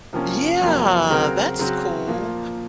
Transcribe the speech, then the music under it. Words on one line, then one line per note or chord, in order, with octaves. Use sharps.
Yeah, that's cool.
C3 F3 A#3 C#4
F2 C3 F#3 A#3
C#3 F#3 C4 F#4 A#4
C#3 F#3 C4 F#4
A#2 F3 A#3